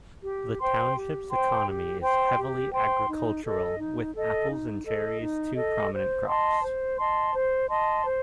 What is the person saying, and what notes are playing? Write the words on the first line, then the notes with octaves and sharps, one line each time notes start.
The township's economy is heavily agricultural, with apples and cherries two prominent crops.
G4
C5 G5 C6
G4
C5 G5 C6
G4
C5 G5 C6
G4
C5 G5 C6
D#4
A4 D#5
D#4
A4 D#5
D#4
A4 D#5
D#4
A4 D#5
C5
D#5 A5 C6
C5
D#5 A5 C6
C5
D#5 A5 C6
C5